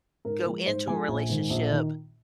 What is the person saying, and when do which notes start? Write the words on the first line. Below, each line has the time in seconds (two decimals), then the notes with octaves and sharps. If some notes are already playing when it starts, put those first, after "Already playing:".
go into a relationship,
0.25 G#2 A#4
0.46 F3 G#3
0.66 G#2 C5
0.87 F3 G#3 G#5
1.08 A#1
1.29 G#2 D#3
1.50 A#1
1.71 D#3